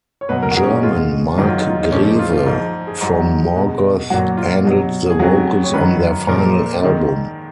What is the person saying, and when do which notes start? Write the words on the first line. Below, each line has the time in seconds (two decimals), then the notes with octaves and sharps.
German Marc Grewe, from Morgoth handled the vocals on their final album.
0.21 C#5
0.29 B2 F#3 B4
0.43 A#4
0.51 F#4
0.57 G#4
0.63 C#4
0.69 D#4
0.83 B2 G#3 F4
1.38 G#2 D#3 F#3 D#4
1.48 F4
1.59 D#4
1.70 F4
1.80 D#4
1.92 A#2 F3 G#3 C#4
2.05 D#4
2.19 F4
2.33 F4
2.46 G#2 F3 G#3 F4
2.87 G#4
3.01 G#2 F#3
3.56 B2 G#3
4.10 A#2 F#3 F#4
4.37 F4
4.65 B2 F#3
5.10 G#4
5.19 F2 C#3 F#3 F#4
5.64 C#5
5.74 F#2 D#3 F#3 B4
6.28 A#2 F3 G#3 A#4
6.83 G#2 D#3 G#3